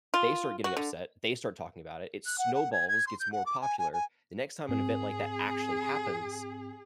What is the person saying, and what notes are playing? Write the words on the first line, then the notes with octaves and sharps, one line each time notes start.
They start getting upset, they start talking about it, it snowballs, gets more popular, the next time an event like that actually happens,
F4
F#4
D3
F#6
F#5
F#5
G#6
G#6
C6
G6
F#5
D6
G#5
G#5
G#5
G#2 C4 G#4